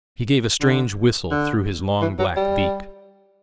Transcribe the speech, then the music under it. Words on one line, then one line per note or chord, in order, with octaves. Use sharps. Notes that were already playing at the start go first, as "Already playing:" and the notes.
He gave a strange whistle through his long black beak.
D3
D3
E3
F#3
G3